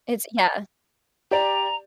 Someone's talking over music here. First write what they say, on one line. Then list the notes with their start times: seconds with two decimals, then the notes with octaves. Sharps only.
It's yeah.
1.31 G4 D5 A#5